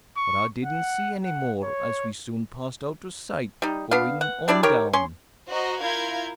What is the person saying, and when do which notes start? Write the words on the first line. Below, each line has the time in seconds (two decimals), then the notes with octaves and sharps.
But I didn't see any more, as we soon passed out o' sight, goin' on down.
0.16 C#6
0.65 F#5
1.24 F#5
1.63 C#5
3.62 G3 D#4
3.91 B3 D4 F5
4.21 F#5
4.48 G3 D4 E4 D5
4.63 D#3 G4 A#4 C#5
4.93 C#4 C6
5.49 F#4 C5 D#5 A#5
5.81 E4 F4 A#4 F5 G6 G#6